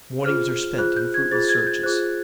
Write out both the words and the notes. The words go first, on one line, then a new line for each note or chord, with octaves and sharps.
Mornings are spent in fruitless searches.
F4 G#4 C5 F6
F4 G#4 C5 F#6
G6
G#6
F4 G#4 C5 A6
G#6
G6
F4 G#4 C5 F#6